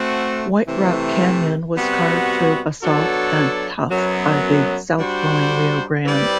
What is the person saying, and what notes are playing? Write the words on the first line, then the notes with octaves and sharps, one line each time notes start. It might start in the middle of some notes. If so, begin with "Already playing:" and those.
White Rock Canyon was carved through basalt and tuff by the south-flowing Rio Grande.
Already playing: A3 C4 F#4
C3 E3 A3
C3 G3 B3 F#4
F#3 B3 D4 F#4 A4
F#2 F#3 B3
G3 D4 F#4 C5
G3 C4 E4 B4 D5